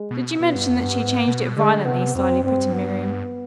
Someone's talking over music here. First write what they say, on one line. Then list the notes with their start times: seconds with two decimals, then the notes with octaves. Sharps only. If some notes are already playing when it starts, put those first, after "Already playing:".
"Did you mention that she changed it violently?" slyly put in Miriam.
Already playing: G#3
0.11 B2
0.40 B2 B3
0.55 G2
0.69 F2
0.83 G2
0.98 G#2
1.27 B2
1.57 D3 G#3
1.85 C3 B3
2.15 F2 C4
2.44 G2 C4
2.73 B3